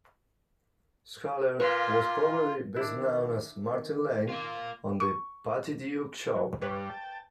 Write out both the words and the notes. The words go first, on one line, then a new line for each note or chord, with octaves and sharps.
Schallert was probably best known as Martin Lane on "The Patty Duke Show".
A#2 F4 B4
D#3 D4 E4
D#3
A#3 F4
C#6
F#3
G2 G3 B4 C#5
G5 A5